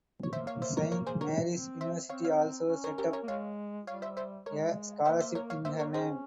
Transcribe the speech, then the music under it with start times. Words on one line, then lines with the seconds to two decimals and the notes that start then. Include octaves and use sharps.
Saint Mary's University also set up a scholarship in her name.
0.23 C#5
0.33 A#3 C5 E5
0.47 C#5 F5
0.62 C5 E5
0.77 A#4 C#5
0.92 A#4 C#5
1.07 G#4 C5
1.21 A#4 C#5
1.51 C4
1.81 C5 E5
2.10 C4 C#5 F5
2.25 C#5 F5
2.69 C#4
2.84 A#4 C#5
2.98 G4 A#4
3.13 A#4 C#5
3.23 A#3
3.28 G#3 C#5 F5
3.87 G3 C#5 F5
4.02 C5 E5
4.17 C5 E5
4.46 G#3 A#4 C#5
5.05 A#3 C5 E5
5.20 C5 E5
5.35 A#4 C#5
5.50 C#5 F5
5.65 A#3 C5 E5
5.79 A#3 A#4 C#5
5.94 C#4 G#4 C5